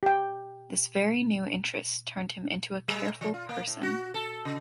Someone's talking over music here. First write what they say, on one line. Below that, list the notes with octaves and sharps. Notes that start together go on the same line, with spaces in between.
This very new interest turned him into a careful person.
G4 G5
G3
F3
F4
A#3
A2
F#4
A4
C#3